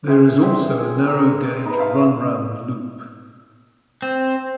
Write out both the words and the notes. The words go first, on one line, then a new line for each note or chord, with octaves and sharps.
There is also a narrow gauge run-round loop.
G#4 C5 E5 G5
C4 E5
G#4
A#4
D#4 B4
E5 F5 A5 C6
C4